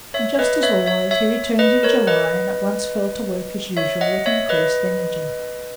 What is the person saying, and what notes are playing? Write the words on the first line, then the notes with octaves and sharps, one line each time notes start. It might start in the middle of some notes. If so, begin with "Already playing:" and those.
And just as always he returned in July and at once fell to work as usual with increased energy.
C#5 E5
B4 D#5
C#5 E5
C#5 E5
C#5 E5
B4 D#5
A#4 C#5
B4 D#5
C#5 E5
D#5 F#5
C#5 E5
B4 D#5